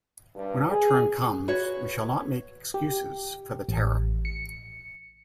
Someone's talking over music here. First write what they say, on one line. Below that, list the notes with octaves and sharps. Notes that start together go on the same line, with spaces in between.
When our turn comes, we shall not make excuses for the terror.
G2
G#4
F#4 B4 C#5
G4
A1
C#7